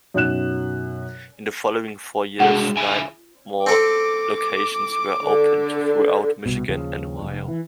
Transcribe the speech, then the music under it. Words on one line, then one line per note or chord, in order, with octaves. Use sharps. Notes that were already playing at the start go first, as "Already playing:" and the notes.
In the following four years, nine more locations were opened throughout Michigan and Ohio.
F#2 B2 D#4 F#6 E7
G#3 D4 F#4 G#4 F#5
D3 E5 G#5
C4 A4 D6
D3
C2 B2
D#2 C#3 F3
F1
E3